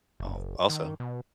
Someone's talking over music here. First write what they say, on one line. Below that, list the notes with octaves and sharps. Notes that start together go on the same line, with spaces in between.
Oh, also
F#1
D#3
B2